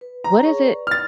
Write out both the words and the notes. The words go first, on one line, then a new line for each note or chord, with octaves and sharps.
What is it
B4
A#5
G#4 C#5 C#6
B4 D5
F6 A6